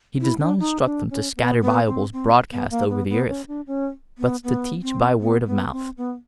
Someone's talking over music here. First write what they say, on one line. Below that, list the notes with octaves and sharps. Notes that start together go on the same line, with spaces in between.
He does not instruct them to scatter Bibles broadcast over the earth, but to teach by word of mouth.
E4
D4
D#4
D4
C#4
B3
B3
C4
C4
B3
A#3
B3
B3
C#4
D4
C#4
B3
B3
C4
B3
B3
C4
B3